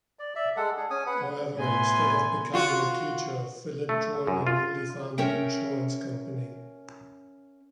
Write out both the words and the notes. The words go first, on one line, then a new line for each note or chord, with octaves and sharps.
However, instead of becoming a teacher, Filip joined a newly founded insurance company.
D5
D5 E5
G#3 A4 F#5
D4 G#4
C#4 G#5 D#6
B4 F#5
A2 B3 G#5 C6 G#6
F4 F#4
A3
F#2
F4
C#4 A#4 E5 G5